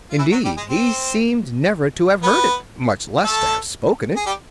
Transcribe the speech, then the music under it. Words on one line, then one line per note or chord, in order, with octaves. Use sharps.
Indeed, he seemed never to have heard it--much less to have spoken it.
F4
E3 E4
F#3 F#4
G3 G4
G#3 G#4
C4 C5
B3 B4
A3 A4
G#4
G3 G4